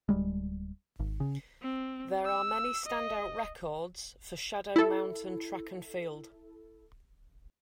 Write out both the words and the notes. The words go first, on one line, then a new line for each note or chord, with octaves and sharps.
There are many standout records for Shadow Mountain Track and Field.
D1 G3 G#3
G#1
C#3
C4
E6
D#5
E4 A4